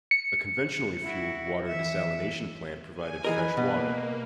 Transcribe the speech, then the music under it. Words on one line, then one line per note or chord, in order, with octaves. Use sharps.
A conventionally fueled water desalination plant provided fresh water.
C#7
E4 F#4
E3 E5
G#5
E3 G#4 A#4 B4 D#5
B2 A#3